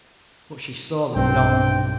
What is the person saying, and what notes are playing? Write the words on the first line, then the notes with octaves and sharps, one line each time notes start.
But she saw them not.
B1 G2 C4 G5